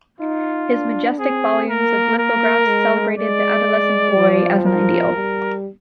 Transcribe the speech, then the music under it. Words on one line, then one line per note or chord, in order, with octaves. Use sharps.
His majestic volumes of lithographs celebrated the adolescent boy as an Ideal.
D#4 F4
D4
C4 G#4
A#3 A#4
A#4
G#3
G#3 D5
F3
A#4
G3